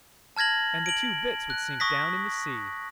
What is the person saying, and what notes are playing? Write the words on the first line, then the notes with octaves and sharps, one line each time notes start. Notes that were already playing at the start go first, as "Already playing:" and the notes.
"And the two bits would sink down in the sea!"
A5 F6 G#6 A#6 F#7
D7 F#7
F#6
C#6 D#6 A#6 B6